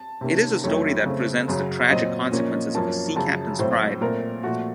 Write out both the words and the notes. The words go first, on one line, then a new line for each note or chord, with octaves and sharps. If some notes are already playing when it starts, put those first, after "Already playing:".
It is a story that presents the tragic consequences of a sea captain's pride.
Already playing: A5
C3 D#3 A#3 C#4
F2 D#3 F#3 A3 C#5
C#3 A3 C4
F#2 C#3 F#3
A#2 F#3 C4 D#5
A#2 F3 A#3 C#4
F#2 F3 A#3 C#4 A5
F#2 C#3 F3 A5
A2 F#3 C4 C5
A#2 A3 C4 A#4
A#2 F3 A3 F#4